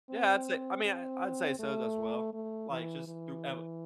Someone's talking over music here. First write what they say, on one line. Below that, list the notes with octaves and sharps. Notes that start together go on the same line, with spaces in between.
Yeah, I'd say I mean, I I'd say so as well, like, just through ev
C4
C4
A3
A3
E3
E3